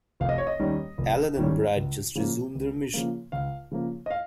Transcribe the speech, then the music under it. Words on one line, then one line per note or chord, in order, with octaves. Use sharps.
Allan and Brad just resume their mission.
F1 F5
D#5
C#5
D#5
D#2 D#3 G3 C#4
F1
D#2 D#3 G3 C#4
C#2
C#3 F3 A#3
C#2
C#3 F3 A#3
C#2 F5
C#3 F3 A#3
D#5
F5